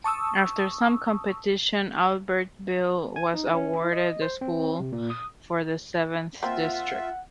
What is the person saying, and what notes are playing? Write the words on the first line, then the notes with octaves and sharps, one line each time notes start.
After some competition, Albertville was awarded the school for the Seventh District.
A5 C#6 D#6 E6
G#5
D#4
C#4
E4
D#5
C5
C4
C3
A#2
D#6
A#3 C4 F4 E5 F#5